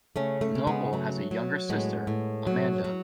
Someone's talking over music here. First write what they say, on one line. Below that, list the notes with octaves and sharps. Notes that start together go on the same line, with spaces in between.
Noble has a younger sister, Amanda.
C#3 A3 C#4
A3
C#3
G#3 B3
F#3 A3
F#3
A2 G#3 B3
A2
F#3
F#3